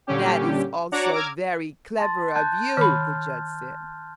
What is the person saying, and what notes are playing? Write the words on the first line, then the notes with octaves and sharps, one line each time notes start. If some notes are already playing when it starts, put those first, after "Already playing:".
"That is also very clever of you," the judge said.
A#2 D3 G3 C#4 G4
D4 F#4 C#5 F#5 A#5 D6
A#5 D6 E6 F6 G#6
A5 C6 A6
A5 F#6 G6
D#3 B5 F6